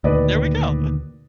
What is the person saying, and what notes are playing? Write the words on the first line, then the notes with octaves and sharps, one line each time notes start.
There we go.
D2 A#2 D#3 B4 D5 D#5